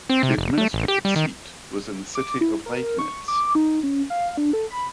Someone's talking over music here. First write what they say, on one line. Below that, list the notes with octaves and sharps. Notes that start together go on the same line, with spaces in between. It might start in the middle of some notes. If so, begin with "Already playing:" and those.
The administrative seat was in the city of Liegnitz.
C4
C3
F1
A3
A1
G4
G3
D#3
D6
E4
A#4
C#6
D6
D#4
C#4
F5
D4
A4
B5